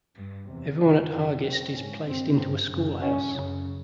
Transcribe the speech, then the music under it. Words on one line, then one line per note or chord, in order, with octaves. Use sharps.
Everyone at Hargest is placed into a school house.
G2
E2 C3
F#2 C#3
F#2 C#3
F#2 C#3 C4
G#2 C#4
G2 C4
G2
F#2 C#3
G2 C#4
F#2 C#3